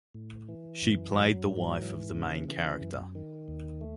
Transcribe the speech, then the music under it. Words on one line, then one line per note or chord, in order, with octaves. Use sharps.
She played the wife of the main character.
A2
E3
F#2
F#3
G#2
E3
C#3
E3
F#2
D#3
D#2
A3